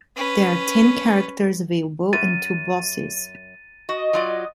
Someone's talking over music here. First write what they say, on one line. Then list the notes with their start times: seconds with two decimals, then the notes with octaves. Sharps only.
There are ten characters available, and two bosses.
0.16 C#4 B4
2.13 F#2 A6 D#7
3.89 F#4 D#5
4.13 F#3 F4 D5